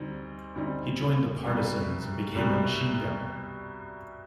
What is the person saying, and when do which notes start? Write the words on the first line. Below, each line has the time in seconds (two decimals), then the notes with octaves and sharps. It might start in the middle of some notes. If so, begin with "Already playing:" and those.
He joined the partisans and became a machine gunner.
Already playing: D2 D3 G3 C4 D#4
0.55 D2 D3 G3 C4 D#4
1.45 C2 B2 G3
2.35 C2 B2 G3